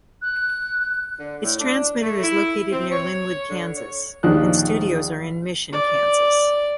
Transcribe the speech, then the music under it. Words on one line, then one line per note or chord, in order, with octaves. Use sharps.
Its transmitter is located near Linwood, Kansas, and studios are in Mission, Kansas.
F#6
D3
A2
D4
A3
E4
C4
C#5
D3
C#5
A#1 D#2 F3 D4 D#4 F#6
D5